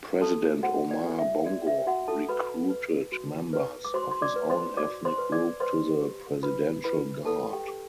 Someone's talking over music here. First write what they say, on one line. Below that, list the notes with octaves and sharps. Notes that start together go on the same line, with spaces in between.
President Omar Bongo recruited members of his own ethnic group to the Presidential Guard.
F#4 A4 A5
F#4 C5 F#5
D5
A4
E5
F#4 D5
E5
F#4 F#5
A4 A5
F#4 B4 B5
B4
F#4
B4
D6
F#4 C5 C6
C6
D5 D6
B4
C5 C6
F#4 D5 D6
C5 C6
B4
D5 D6
B4 C5 C6
G4
E4 B4 B5
E4 B4 B5
A4 B4 A5
G4 G5
G4